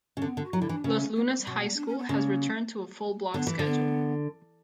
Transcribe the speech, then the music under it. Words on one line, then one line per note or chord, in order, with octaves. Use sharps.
Los Lunas High School has returned to a full-block schedule.
C#3
D3 B3
D3
F#4
F#3
D3 E4
E3 D4
C#3 C#4
C#4
B3
A#3
G3
B2 F#3
G3
D4
C#4
B3
C#3 A#3
D3 B3
E3
D3
B3